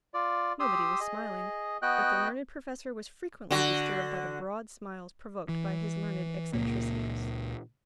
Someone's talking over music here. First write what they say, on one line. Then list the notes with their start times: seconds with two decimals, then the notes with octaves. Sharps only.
Nobody was smiling; but the learned Professor was frequently disturbed by the broad smiles provoked by his learned eccentricities.
0.14 F4 D5
0.60 G4 C6 D#6 E6
1.00 G#4 D#5
1.82 B3 F#4 D#5 G5 F#6
3.50 D3 F#4
5.49 E3
6.53 C#2 A#2 A#3